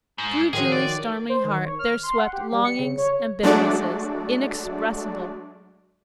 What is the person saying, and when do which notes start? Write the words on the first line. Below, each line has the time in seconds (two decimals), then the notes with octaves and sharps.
Through Julie's stormy heart there swept longings and bitternesses inexpressible.
0.18 G#2
0.53 D#3 F3 F#3 G#4
0.72 D5
1.29 C5
1.45 D#3
1.66 C#5
1.79 F6
2.03 C6
2.18 F#5
2.33 G4
2.53 G3
2.65 C#7
2.79 C#3
2.98 C#5
3.43 F#3 G#3 A3 D4 F#4 D5